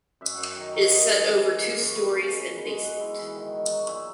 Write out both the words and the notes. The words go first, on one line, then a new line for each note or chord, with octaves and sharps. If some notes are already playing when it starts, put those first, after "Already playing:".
It is set over two storeys and basement.
F#2 E5
F#2 F#5
F#5
D#3 A#5
D#3 A#5
D#4
G#3
E3
E3
A#3
F#2 A#5
B3
C#3
B2
B2
A#5
G#3
G#2 F#5
E4
E3
D#3
D#3
F#3
A#2 E5